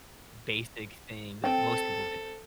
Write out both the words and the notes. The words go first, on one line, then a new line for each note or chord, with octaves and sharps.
basic thing that most people do
C4 A4 G5